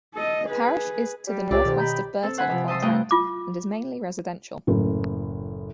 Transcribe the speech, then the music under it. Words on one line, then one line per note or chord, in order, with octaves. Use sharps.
The parish is to the northwest of Burton upon Trent and is mainly residential.
A4 D#5
G#4 B4
G3
C2 C3 F#3 F4 G4 D5 E6
F2 G#2 B2 D#3
D#5 G5 A#5 B5
C4 A4
C5 F#5 G#5 B5
C3 F3
D#5 E5 A5 C6 D#6
G2 A3 D#5 G5
F4 D6
F#1 A2